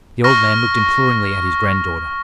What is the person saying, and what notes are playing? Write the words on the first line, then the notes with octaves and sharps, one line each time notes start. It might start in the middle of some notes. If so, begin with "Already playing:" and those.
The old man looked imploringly at his granddaughter.
C#6 F6 A#6